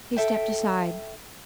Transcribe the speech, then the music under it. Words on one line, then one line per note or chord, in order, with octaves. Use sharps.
He stepped aside.
A4 E5 G5